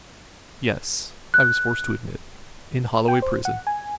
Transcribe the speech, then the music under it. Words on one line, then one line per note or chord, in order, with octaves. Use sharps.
"Yes," I was forced to admit; "in Holloway prison."
F#6
G5
C5
F#5
G#5